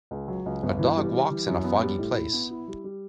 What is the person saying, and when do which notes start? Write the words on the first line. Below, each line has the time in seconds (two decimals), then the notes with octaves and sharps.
A dog walks in a foggy place.
0.11 C#2
0.28 F#3
0.46 C#2
0.63 G1
0.79 E3
0.96 G3
1.13 G3
1.31 E3
1.48 F#2
1.64 B3
1.82 G3
1.99 A2
2.16 E4
2.33 B3
2.51 E4
2.68 G3
2.84 G3